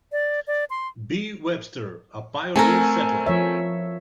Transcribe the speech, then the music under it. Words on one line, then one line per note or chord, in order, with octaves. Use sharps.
B. Webster, a pioneer settler.
D5
D5
C6
A3 C4 A4 A#4 G#5
F3 C#5 E5